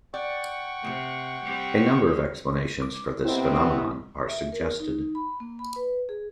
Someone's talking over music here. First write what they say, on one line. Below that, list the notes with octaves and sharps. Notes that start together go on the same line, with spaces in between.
A number of explanations for this phenomenon are suggested.
D5 F#5 G5 C#6
C3
G3 C4 G4
D6
C3 B3 C4 E4 D#5
E5
A#4
D#4
B5
A#3
B5
B4
G#4